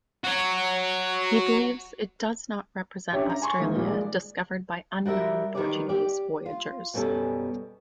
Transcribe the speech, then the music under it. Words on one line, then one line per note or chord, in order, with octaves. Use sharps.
He believes it does not represent Australia discovered by unknown Portuguese voyagers.
F#4 C#5
C#4 D4 G4 C#5 E5
A#5
G#5 C6 C#6
G#2 D#3 E3 A#3
A#2 F3 G3
G#3 D5
G3 F#4 A#4 E5
D#3 E3 F#3 G3 B4 D5
G4 D5
F4
F#2 B2 G3 C#4 A4